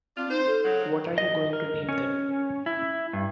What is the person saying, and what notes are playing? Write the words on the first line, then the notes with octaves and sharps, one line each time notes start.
What are you going to name them?
C4 D4 F4
D#4 C5
A4
C#3 F#3
D#5
A#4
C#4
E4
G2